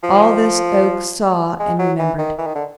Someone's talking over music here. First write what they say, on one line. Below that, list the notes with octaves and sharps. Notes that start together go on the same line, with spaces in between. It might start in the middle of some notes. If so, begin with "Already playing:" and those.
All this Oak saw and remembered.
F3
G#3
F#3
E3
D#3
E3
D#3
D3